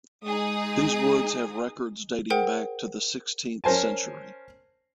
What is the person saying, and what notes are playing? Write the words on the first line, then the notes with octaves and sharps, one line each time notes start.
These woods have records dating back to the sixteenth century.
G#3 D#4 G#4 D#6
G#4 A#4 C5 F#5 G5
C#4 A#4 C5 G#5 A5